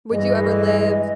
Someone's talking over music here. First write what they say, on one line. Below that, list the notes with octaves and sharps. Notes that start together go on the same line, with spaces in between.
Would you ever live
G2 E3 G#3 D#5